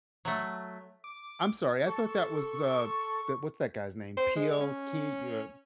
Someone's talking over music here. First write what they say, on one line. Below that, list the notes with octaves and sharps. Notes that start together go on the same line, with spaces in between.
I'm sorry, I thought that was, uh the what's that guy's name? Peele Key? You,
F#3 A3
D6
A4 C#6
C5
G#3
C#4